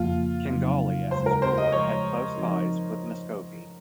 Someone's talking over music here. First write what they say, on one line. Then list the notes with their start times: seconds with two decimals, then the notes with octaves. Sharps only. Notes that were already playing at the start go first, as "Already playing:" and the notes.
Canghali as its ruler had close ties with Muscovy.
Already playing: F2 C#3 F3 A#3 F4
0.48 F2 C#3 F#3 C4 D#4
1.11 D#2 C#3 G#3 D#4 C5
1.26 A#4
1.42 C5
1.58 D#5
1.72 C#3 F3 G#3 C#5
2.35 F3 C4 D#4 F#4 A#4